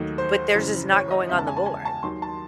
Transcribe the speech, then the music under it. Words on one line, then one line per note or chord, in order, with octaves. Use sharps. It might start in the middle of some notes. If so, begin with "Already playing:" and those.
but theirs is not going on the board.
Already playing: D#2 D#3 F#3 A3 D#5
C5
F#1 F#2 E3
C#5
D#5
E2 C#3 G#3 E5
A5
G#5
A5
G#5
A5
D#2 D#3 F#3 C6
A5